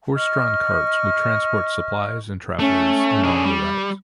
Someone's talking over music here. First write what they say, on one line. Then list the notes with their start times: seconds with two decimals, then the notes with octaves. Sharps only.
Horse-drawn carts would transport supplies and travellers along the route.
0.15 D#5 C#6 F6
2.59 A3 C#4
3.24 D4 G#4
3.45 G3